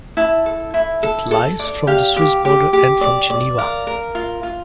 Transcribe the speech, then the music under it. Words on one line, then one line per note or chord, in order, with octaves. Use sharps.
It lies from the Swiss border and from Geneva.
E4 A5
A4
E4
A4
A4
D5
G4 F5
G4
G4
G4
D5
D5
A#4 F5
A#4
F4
F4